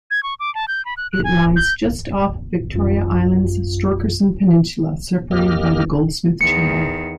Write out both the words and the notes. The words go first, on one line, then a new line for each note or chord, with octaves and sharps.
It lies just off Victoria Island's Storkerson Peninsula, separated by the Goldsmith Channel.
G#6
C#6
D6
A5
G6
B5
F#6
F#6
G#5
G6
A1 F#2 F4
F2 A#3 G4 D#5 F6
E2 D#3 C#7